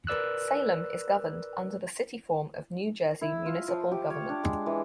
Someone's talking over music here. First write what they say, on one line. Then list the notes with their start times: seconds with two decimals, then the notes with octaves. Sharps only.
Salem is governed under the City form of New Jersey municipal government.
0.07 A#4 B4 D5 E6 F#6
3.21 E4
3.46 F4
3.68 F3
3.92 G4
4.10 C#5
4.29 D4
4.44 G#3
4.66 E3